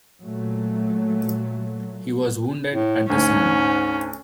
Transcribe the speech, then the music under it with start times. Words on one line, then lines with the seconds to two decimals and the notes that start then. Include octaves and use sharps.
He was wounded at the Somme.
0.21 A#2 F#3 A3
2.72 A2
3.10 D2 G#2 C#4